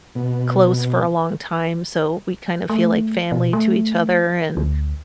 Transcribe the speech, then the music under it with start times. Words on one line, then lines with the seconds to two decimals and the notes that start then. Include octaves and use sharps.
close for a long time, so we kinda feel like family to each other, and,
0.15 B2
2.70 A3
3.32 B2
3.53 A3
4.57 D2